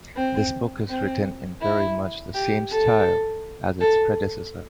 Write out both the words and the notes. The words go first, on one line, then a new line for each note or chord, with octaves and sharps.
This book is written in very much the same style as its predecessor.
C4
C4
E4
G4
A4
A4